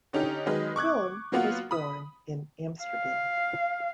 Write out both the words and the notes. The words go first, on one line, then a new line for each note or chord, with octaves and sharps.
Willem was born in Amsterdam.
D3 C#4 D#4 G4
D#3 F#3 G#3 B4 D#5
C#6 D6 F#6 G#6
F#3 A#3 B3 F4 F#4
B5 D#6
F5